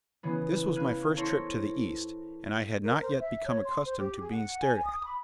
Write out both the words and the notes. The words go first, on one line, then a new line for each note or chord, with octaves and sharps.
This was my first trip to the East, and I had not yet become accustomed to being stared at.
C#3 E3 B3
F5 B5 F6 F#6 G#6 D#7
E4 A4 A#4 C5 C#5
A#4
C5
E5
C#5
C6
C5
G4
G#4
F#5
G#5
D#6
B5